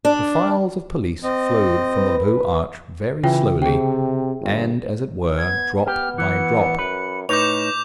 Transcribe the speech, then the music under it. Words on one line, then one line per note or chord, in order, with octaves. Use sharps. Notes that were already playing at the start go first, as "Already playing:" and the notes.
The files of police flowed from the low arch very slowly, and, as it were, drop by drop.
D4
C4 D#5
B4
C#3 E3 F4 G5
C3 G#4 G5
G1
B3 G#6
G4 F6
E3 C#7
F#2 B4
A2 D#4 B4 C#5 D6 G6 F7